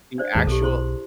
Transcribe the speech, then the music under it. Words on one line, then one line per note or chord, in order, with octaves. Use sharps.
the actual
D4 C5 D5
D#2 G#2 G#4 A5 A#5
B1 G4 A4
E4 C5 C6